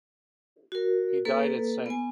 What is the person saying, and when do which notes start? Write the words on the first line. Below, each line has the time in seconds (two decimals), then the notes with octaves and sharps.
He died at St.
0.72 F#4 A#4
1.25 A#3 A4 B4
1.86 B3 G#5